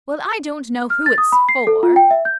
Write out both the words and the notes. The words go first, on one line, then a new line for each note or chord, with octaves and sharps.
Well, I don't know who it's for!
F6
A6
D#6
B5
C7
A4
F4
G5
E5
G6